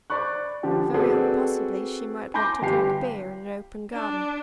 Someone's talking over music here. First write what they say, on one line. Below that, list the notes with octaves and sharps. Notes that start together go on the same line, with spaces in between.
Very possibly she might want to drink beer in an open garden.
C5 D5 B5 C#6 F#6
D3 F3 G4
C4 F#4 G#4 A4 B4 D5
G#5 B5 C6 D6 G6 A#6
G1 G4 C7
D4